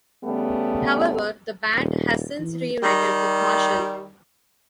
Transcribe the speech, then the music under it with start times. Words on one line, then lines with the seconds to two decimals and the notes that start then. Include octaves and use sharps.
However, the band has since reunited with Marshall.
0.24 C#3 G3 A3 B3
1.76 D#1
2.39 E3
2.82 D#3 G3